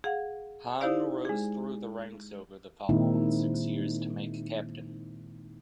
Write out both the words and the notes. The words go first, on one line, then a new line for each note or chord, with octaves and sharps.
Haan rose through the ranks over the following six years to make Captain.
G#4 F5 F#5
D#4 E4 G4 C5 D5 F5
G#3 G#4
A#2 D#3 G#3 C4 D#4 E4